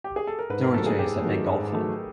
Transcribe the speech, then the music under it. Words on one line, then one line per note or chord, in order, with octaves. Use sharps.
Dougherty is a big golf fan.
G4
G#4
A4
A#4
G#2 B4
A#4
D#3 F#3 A3 A4
G#4
G#2 G4
D#3 F#3 A3
G#2
D#3 F#3 A3